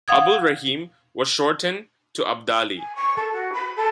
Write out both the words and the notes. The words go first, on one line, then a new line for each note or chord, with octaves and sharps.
Abulraheem was shorten to Abdali.
F5 F#5 D#6 G#6
G#5
C#6
A4
F#4
B5
A4